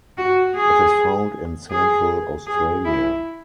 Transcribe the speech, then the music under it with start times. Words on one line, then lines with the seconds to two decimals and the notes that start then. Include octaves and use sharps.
It is found in central Australia.
0.17 F#4
0.55 G#4
1.71 G#4
2.47 G#4
2.85 E4